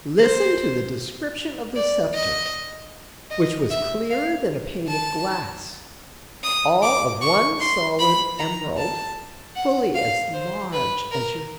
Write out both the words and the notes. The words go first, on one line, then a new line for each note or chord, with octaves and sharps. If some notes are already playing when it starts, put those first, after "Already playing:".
Listen to the description of the sceptre, which was clearer than a pane of glass, all of one solid emerald, fully as large as your fist.
C5
D5
D#5
D#5
E5
F5
A5
D#6
D6
C#6
C6
B5
A#5
A5
F#5
F5
C5
B4
A#4